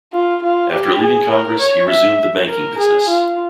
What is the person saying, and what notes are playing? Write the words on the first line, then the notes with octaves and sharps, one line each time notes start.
After leaving Congress, he resumed the banking business.
F4
F4
G4
G#4
A#4
C#5
E5
A#4
G#4
F4